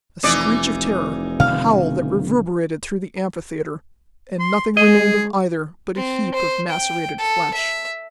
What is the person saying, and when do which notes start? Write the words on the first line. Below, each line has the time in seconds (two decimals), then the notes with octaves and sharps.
A screech of terror, a howl that reverberated through the amphitheatre, and nothing remained of either but a heap of macerated flesh.
0.23 F1 E3 D#4 D5
1.40 B2 D3 D#3 F5
4.40 C6
4.77 G#3 G#4 D#5
5.96 C4
6.35 C5
6.69 G5
7.18 A4
7.54 E5